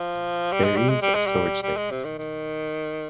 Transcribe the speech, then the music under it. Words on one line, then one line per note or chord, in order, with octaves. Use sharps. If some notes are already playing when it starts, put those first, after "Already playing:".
There is of storage space.
Already playing: F3
G3
G#3
G3
G#3
G3
G#3
G3
G3
G#3
C3
D#3
D#3